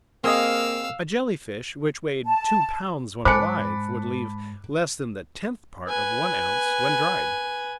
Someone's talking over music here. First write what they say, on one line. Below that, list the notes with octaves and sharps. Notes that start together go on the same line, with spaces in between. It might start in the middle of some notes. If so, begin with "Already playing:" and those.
A Jelly-fish, which weighed two pounds when alive, would leave less than the tenth part of one ounce when dried!
A#3 C4 G#4 D#5 F5 E6
A5
G#2 C5 G#5 A5 B5 D6 F#6 C#7
B4 G#5